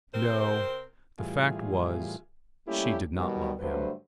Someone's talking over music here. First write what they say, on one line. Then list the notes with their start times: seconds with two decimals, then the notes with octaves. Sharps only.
No, the fact was, she did not love him.
0.13 C3 C4 A#4 C5
1.19 A2 E3 G3 F4 G#4
2.67 G3 A3 A#3 C#4 E4 G4
3.15 B2 D#3 F#3 G3
3.60 G2 D3 F#3 A3 B4 C5